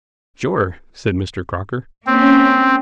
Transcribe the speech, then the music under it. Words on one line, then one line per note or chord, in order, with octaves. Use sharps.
"Sure," said Mr. Crocker.
A#3 C4 C#4